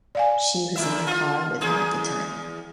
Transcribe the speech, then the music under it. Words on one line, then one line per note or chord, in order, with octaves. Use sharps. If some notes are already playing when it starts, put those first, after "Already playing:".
She was in the car with him at the time.
D5 F5 G#5
E2 E4 E5
F4
E2 G#4